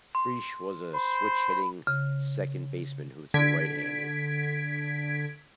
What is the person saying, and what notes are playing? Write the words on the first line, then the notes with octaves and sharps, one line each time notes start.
Frisch was a switch-hitting second baseman who threw right-handed.
C6
C5 B5
C#3
D3 G#6 B6 D7